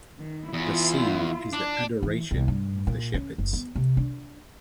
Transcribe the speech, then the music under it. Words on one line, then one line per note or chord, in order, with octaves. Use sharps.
The scene is the Adoration of the Shepherds.
D#3
E2 E4 F4
D4
E3
C2
G2
A#2
C#4
F#1
B3
C3
D4